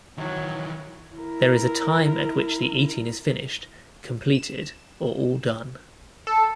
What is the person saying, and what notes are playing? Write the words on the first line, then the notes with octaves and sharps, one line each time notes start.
There is a time at which the eating is finished, completed, or all done.
D#3 E3 F#3
E4 A#4
E7
A4